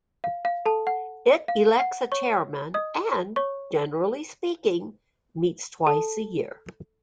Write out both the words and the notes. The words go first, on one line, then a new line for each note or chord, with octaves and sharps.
It elects a chairman and, generally speaking, meets twice a year.
F5
F5
A4 A5
F#5
F5
F#5
C#5 C#6
D#5 D#6
C#5 C#6
A4 A5